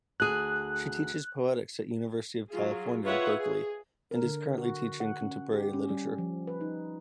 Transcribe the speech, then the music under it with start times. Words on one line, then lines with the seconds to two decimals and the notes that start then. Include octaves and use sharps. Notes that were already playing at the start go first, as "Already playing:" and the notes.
She teaches poetics at University of California, Berkeley, and is currently teaching contemporary literature.
0.20 D2 G#4 F#6
2.49 F#3 F4 G#4
3.03 F4 G#4 B4 C#5 E5 F#5
3.38 G#4
4.11 A#4
4.24 D3
4.58 F#4
5.00 F#5
5.21 C#4
5.53 G4
5.73 C#4
5.90 G3
6.18 F3
6.47 B4
6.61 D#4